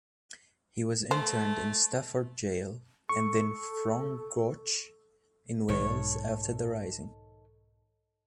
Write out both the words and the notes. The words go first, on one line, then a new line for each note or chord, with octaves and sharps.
He was interned in Stafford jail and then Frongoch in Wales after the Rising.
A3 C5
A4 C#6
B1 G#2 D#3 A4 C#5